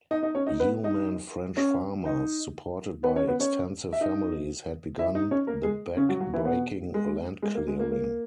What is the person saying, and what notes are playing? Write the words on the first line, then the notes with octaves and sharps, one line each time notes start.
Yeoman French farmers, supported by extensive families, had begun the back-breaking land clearing.
D#4 D#5
D#4 D#5
C#4 C#5
D#4 D#5
B3 B4
D#4 D#5
C#4 C#5
D#4 D#5
B3 B4
C#4 C#5
B3 B4
C#4 C#5
E5
D#4 D#5
E4 E5
D#4 D#5
C#4 C#5
A#3 A#4
G#3 G#4
C#3 C#4
F#3 F#4
F#3 F#4
E3 E4
B2 B3
G#3
G#3
A#3
G#3
A#3
A#3